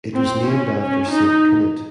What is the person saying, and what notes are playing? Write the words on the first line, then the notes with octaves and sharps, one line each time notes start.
It was named after Saint Canute.
C4
C#4
C#4
D#4